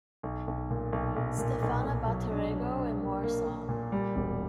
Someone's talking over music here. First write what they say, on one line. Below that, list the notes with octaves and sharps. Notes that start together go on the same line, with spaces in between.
Stefana Batorego in Warsaw.
B1
B1
A#2
B1
B1
A#2
B1
B1
F#3
D4
F#3
D4
A#3
A#3
A#3
A#2
G3
E1